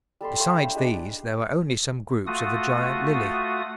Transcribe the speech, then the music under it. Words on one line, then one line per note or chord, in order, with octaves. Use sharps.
Besides these there are only some groups of the Giant Lily.
G3 A4 B5 C6
C5 C#5 E5 F5
D4
D4 G4 G#4 D#5
A3 F4 F#4 D#6